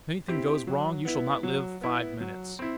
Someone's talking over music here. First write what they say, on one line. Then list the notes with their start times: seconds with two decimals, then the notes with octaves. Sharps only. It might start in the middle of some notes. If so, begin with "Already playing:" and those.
If anything goes wrong you shall not live five minutes.
0.28 C4 E4 G4
0.67 F#3
1.05 B3 E4
1.43 F#3
1.81 B3 E4
2.21 F#3
2.59 C4 E4